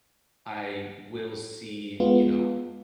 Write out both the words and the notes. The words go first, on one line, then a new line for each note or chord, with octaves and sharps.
I will see, you know,
G#3 B3 F4